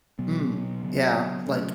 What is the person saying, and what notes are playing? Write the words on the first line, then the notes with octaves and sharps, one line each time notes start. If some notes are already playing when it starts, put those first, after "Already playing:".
Mm, yeah, like
B2 F#3 B3
C#3 F#3 B3
C#3 F#3 A3 C#4